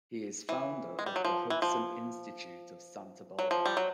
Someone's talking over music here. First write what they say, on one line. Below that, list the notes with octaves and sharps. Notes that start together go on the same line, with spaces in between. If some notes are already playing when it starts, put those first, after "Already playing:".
He is founder of The Hudson Institute of Santa Barbara.
E3
G#3
G3
F#3
F3
E3
F3
F#3
F3
G3
F#3